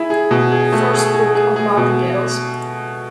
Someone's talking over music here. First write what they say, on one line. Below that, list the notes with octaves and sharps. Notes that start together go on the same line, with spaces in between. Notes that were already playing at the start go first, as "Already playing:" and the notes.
First Book of Madrigals.
Already playing: E4 G#4
G#4
B2
G#4
A3
G#4
G#4
G#4
G#4
B2